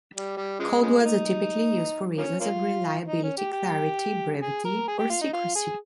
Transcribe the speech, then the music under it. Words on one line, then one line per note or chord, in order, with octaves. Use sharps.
Code words are typically used for reasons of reliability, clarity, brevity, or secrecy.
G3
G3
C#3 F3 G#3
C#3 F3 G#3
F4
D#4
F3 A#3 C#4
A#3 C#4 F4
D#4
C#4
G4
G4
G#4
A#4
G#4
G4
F4
D#4
F4
G#4